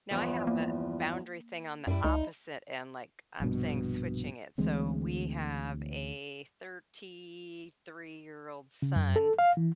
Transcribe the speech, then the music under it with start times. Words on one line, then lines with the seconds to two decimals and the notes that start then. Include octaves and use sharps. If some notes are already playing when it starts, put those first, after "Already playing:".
Now I have a boundary thing on the opposite end, like, I'm saying switching it. So, we have a thirty-three-year-old son
0.11 E2 G2 F3
0.47 A#3
1.87 F#2 G3 E4
2.04 C#2 D#4
3.40 A#1 G2 B2
4.58 D2 E3 G#3 C4
8.82 C#3
8.96 F#2
9.16 A4
9.39 F5
9.57 E3